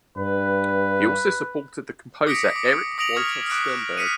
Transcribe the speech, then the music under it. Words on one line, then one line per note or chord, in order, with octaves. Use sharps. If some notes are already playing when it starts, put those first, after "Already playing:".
He also supported the composer Erich Walter Sternberg.
G2 B4
D6 D#6 A#6 B6 C#7 D7
D6
D6 D#6 A#6 D7 F7 F#7
C#6 D#6 F6 G#6
D6 F6 F#6 B6 D7
F6 B6 C#7 D#7